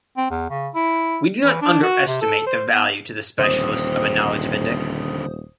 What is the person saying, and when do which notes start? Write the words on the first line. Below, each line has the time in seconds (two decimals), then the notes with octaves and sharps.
We do not underestimate the value to the specialist of a knowledge of Indic.
0.17 C4
0.30 E2
0.50 C#3
0.75 E4
1.42 E3
1.61 D4
1.82 F#4
2.07 C3
2.21 A4
2.46 C5
2.73 B3
3.39 D#1 D3 C4 C5 D#6